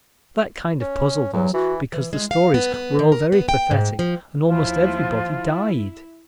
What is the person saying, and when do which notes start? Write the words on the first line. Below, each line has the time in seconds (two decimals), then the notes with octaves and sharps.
That kind of puzzled us because the stories were all very pathetic and almost everybody died.
0.81 C#4
1.33 E2 F#3
1.54 E3 F#4
1.92 E3
2.13 G#3
2.31 F5
2.54 B3
2.74 B3
2.99 D#3
3.12 A#4
3.32 B3
3.49 G5
3.71 G#2
3.99 F3
4.47 D#2 F3 E4 F4
5.27 E4